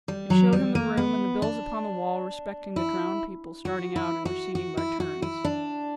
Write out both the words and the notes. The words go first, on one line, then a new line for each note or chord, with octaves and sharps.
It showed him the room, and the bills upon the wall respecting the drowned people starting out and receding by turns.
G3
F#3
G3
A#3
B3
D4
E4
F#4
E4
F#4
F#4
E4
F#4
E4
D4